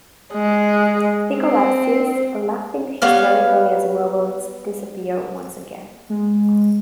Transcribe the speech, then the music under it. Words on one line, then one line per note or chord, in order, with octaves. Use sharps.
He collapses, laughing hysterically as robots disappear once again.
G#3
C4
G3 B3 C#5 F5
G#3